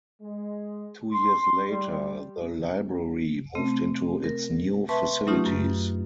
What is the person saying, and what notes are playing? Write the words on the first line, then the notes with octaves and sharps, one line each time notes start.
Two years later, the library moved into its new facilities.
G#3
C6
G3
C3 A3 C4
A#4
B4 E5 A5 C6 C#6
F#3 A3 C#4 D#4 F4 G4
F#2